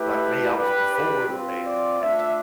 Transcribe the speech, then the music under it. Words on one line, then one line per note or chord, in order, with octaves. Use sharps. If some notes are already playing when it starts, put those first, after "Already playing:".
like me, I was before the internet,
Already playing: A3 E4 G4 B4
G3 D4 G4 B4
B4
C4 F4
D5
A3 D4 F4 E5